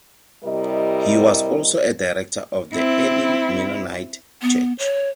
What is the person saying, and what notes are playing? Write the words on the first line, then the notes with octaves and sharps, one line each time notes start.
He was also a director of the Elim Mennonite Church.
C3 G3 E4 A#4 D#5
C4 E4
B3
C#5